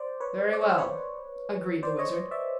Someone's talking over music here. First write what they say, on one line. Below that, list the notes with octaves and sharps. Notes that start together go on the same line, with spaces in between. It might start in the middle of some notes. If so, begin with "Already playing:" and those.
"Very well," agreed the Wizard.
Already playing: C5 D5
B4 C#5
D5
C#5
C5
B4 C#5
C5 D5
C#5 D#5
D5 E5